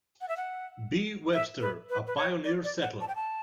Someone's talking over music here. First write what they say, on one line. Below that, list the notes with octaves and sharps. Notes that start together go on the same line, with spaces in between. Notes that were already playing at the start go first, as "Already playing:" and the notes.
B. Webster, a pioneer settler.
F#5
E5
F#5
E5
B4
B4
B4
C#5
D5
D5
F#5
A5
G5
A5